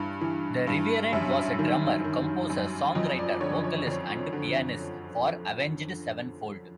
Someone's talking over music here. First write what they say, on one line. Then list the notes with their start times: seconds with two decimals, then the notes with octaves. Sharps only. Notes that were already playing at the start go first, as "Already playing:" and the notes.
The Reverend was a drummer, composer, songwriter, vocalist and pianist for Avenged Sevenfold.
Already playing: G2 E3
0.21 E3
0.67 G2
1.13 F#2 E5
1.59 D#3
2.04 D#3
2.50 F#2
2.95 F2 D#5
3.19 D5
3.40 D3 C#5
3.64 C#5
3.87 F2
4.32 D3